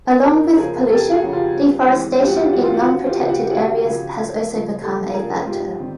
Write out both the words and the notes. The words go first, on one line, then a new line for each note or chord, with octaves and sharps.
Along with pollution, deforestation in non-protected areas has also become a factor.
F2 A#4 C5
C#3 F3 A#3 C#4 G#4 A#4
F2 G4 A4
F#4 G#4
C#3 F3 A#3 C#4
F4 G4
G2
E3 G#3 C4
G2 G4
F#4
F4 G4
E3 G#3 C4 F#4
F4
F#4
D#2 F#4
F4 G4
C#3 F3
G4
F#4
G4
D#2 F#4 G#4
C#3 F3
C#2
C#3 F3 A3
C#2 G4 A4
C#3 F3 A3 G#4 A#4
G#4
G#2 F4 G4
D#3 G3 C4